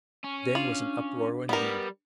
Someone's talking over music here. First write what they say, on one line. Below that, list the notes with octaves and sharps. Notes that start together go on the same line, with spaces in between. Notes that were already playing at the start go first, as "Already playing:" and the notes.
Then was an uproar indeed.
C#4
D4 F4
G3 B3 A#4